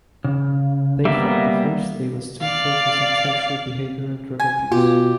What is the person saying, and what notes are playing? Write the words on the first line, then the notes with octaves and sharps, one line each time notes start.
They felt the first day was too focused on sexual behavior and drug abuse.
C#3
G3 A#3 B3 E5
D5 F5
G#5
B2 F4 G4